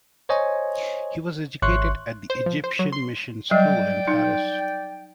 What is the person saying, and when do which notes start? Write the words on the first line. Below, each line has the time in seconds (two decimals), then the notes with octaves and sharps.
He was educated at the Egyptian Mission School in Paris.
0.29 C5 C#5 D#5 G#5
1.62 G#1 C#5 E5 C6 C#6 F#6
2.30 C5
2.46 F3
2.64 C5
2.79 F#3
2.92 C6
3.51 F#3 G3 D5 D#5 G5
4.08 D#4